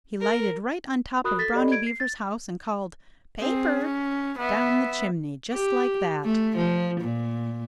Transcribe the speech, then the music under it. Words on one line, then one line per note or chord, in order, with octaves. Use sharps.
He lighted right on top of Brownie Beaver's house and called "Paper!" down the chimney--just like that!
A#4
F#4 A#4 B5 D#6 F#6
A4 A6 B6
G4 A4 D5 D#5 B5
G#6 D7
C7
A6
C4 G#4
C#4
B3 E5
G4
A3
F3
A#2